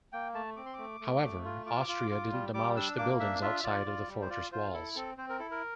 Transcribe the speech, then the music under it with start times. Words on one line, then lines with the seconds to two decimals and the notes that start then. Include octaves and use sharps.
However, Austria didn't demolish the buildings outside of the fortress walls.
0.13 A#3 G5
0.34 A3 A5
0.56 C4 D6
0.66 C6
0.74 A3 D6
1.00 A3
1.23 A3
1.45 F4
1.66 F4 D6
1.88 F4
2.11 F4
2.32 G3
2.54 G3 D6
2.76 D4 E6
2.98 A#3 D6
3.20 D4 E5
3.42 F4 E5
3.60 E5
3.63 F4 D5
3.86 F4
4.08 G3
4.22 C5
4.30 F4 D5
4.52 F4 C5
4.73 E4 A4
4.95 C4 A4
5.18 C4 C5
5.29 A#4
5.39 E4 A4
5.51 A#4